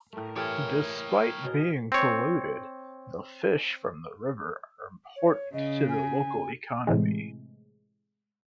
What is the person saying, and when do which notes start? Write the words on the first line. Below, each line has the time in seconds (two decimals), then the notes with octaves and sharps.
Despite being polluted, the fish from the river are important to the local economy.
0.13 A2 A3 A#4
0.36 E3 G4 A4 C#5 G5 D#6 F6 G#6
1.44 B2 G#4
1.92 C4 C#5
5.16 C#5
5.53 C#3 D#5
5.88 G#5
6.87 A2 C3 E3 G#3